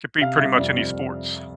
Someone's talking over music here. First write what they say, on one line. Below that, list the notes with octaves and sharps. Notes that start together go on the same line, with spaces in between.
Could be pretty much any sports.
C3 F5
G3 E5
F2 D5
F2